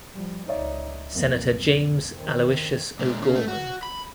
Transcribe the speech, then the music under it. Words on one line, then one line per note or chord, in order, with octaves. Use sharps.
Senator James Aloysius O'Gorman.
F3 G3
C#2 D#4 C#5 D5 E5
B1 F2 A#3
D#3 C4
A#2 G#3
C#3
A3
F#4
B5